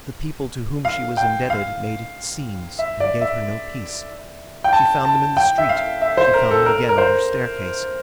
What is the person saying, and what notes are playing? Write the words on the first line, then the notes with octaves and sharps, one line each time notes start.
The people to whom she was indebted made "scenes" and gave her no peace. She found them in the street, she found them again on her staircase.
F5
G5
F5
E5
D5
E5
G5
A5
A5
G5
E5
F5
E5
C5
A#4
A4
A#4
A#4
C5